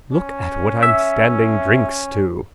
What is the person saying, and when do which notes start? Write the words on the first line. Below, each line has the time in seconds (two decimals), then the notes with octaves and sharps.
Look at what I'm standing drinks to!
0.13 C#4
0.83 E5